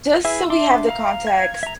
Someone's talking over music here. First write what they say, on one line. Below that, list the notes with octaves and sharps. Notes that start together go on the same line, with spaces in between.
just so we have the context,
E4 G#4 B4 E5
D4 C6 D6
F5 A#5
G#6
E5 A#5